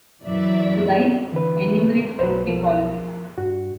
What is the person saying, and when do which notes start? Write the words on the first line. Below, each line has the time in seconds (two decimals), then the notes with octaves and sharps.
The guides enumerate specific policies.
0.22 F#2 E3 F#3 D5 E5
1.32 D3 E3 B4
2.19 B1 F#3 B4 C5
2.47 F3 A#4
3.38 G2 F#4